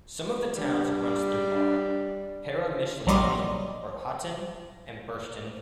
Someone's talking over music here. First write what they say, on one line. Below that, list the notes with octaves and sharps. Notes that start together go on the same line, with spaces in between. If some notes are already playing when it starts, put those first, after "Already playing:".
Some of the towns it runs through are: Peremyshliany, Rohatyn, and Burshtyn.
G3 D4
A#1 F#3 G3 D#5 C6 D6